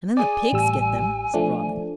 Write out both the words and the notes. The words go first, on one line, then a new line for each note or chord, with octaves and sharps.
"And then the pigs get them," said Robin.
G#4 D5 G#5
A1 G3 E6
F3 A3 D4